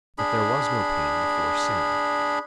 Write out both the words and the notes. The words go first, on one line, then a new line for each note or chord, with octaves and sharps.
But there was no pain before sin.
D4 G#4 B5